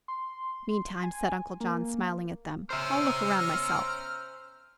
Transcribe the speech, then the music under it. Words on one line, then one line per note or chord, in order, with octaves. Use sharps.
"Meantime," said Uncle John, smiling at them, "I'll look around myself."
C6
G#5
A#3
C#4 C5 E5 A#5 F6